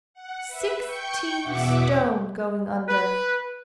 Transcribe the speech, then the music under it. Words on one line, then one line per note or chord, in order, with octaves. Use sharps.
Sixteen stone going under.
F#5
B4 E5
G5 C#6 G6 C#7
E2 B2 B3 E5 F#5 D6
B4